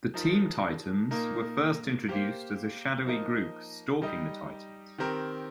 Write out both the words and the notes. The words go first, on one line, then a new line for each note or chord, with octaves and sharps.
The Team Titans were first introduced as a shadowy group stalking the Titans.
F3 D#4 A#4
A#2 A#3 D#4 A#4
A#3 G4 C5 F5
F3 A#3 D#4 A#4 D#5
G3 D#4 G4 D#5
D#3 C4 G4 A#4